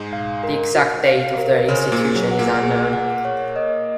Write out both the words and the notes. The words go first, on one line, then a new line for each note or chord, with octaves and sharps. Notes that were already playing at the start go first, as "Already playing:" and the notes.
The exact date of their institution is unknown.
Already playing: G#2 G#3
F5
A#4
F#4
F5
A#4
C#3 C#4 C5
A#2 A#3
G#4
F#3
F#5
A#2 A#3
G#4
F#5
C#5
D#5